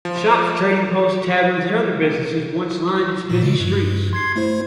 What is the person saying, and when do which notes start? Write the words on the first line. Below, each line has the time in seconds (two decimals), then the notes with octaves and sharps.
Shops, trading posts, taverns, and other businesses once lined its busy streets.
0.05 F3
3.29 A#2 F3
3.43 C#3 G#3
3.60 G2
4.13 C6 G#6 C7
4.36 A3 E4 C5